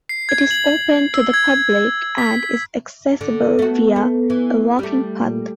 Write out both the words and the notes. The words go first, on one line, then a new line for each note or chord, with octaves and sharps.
It is open to the public and is accessible via a walking path.
C7
G#6
F#7
E6
G#6
B6
D3
A3 B3 F#4
A3
E3
G3 A3
A#2